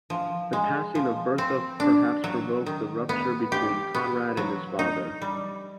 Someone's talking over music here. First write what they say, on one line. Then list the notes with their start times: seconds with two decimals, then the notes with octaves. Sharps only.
The passing of Bertha perhaps provoked the rupture between Conrad and his father.
0.10 F3
0.53 G#3
0.95 F3
1.38 C4
1.80 D4
2.24 F#3
2.66 D#3
3.09 B3
3.52 G4
3.95 B3
4.37 F#3
4.79 D#4
5.22 G3